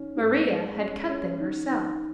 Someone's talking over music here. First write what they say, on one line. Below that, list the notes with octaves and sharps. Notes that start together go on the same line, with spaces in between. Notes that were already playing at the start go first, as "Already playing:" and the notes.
Maria had cut them herself.
Already playing: D#3 C#4
G#2
G#3
C#4
C#4
D#3
D#3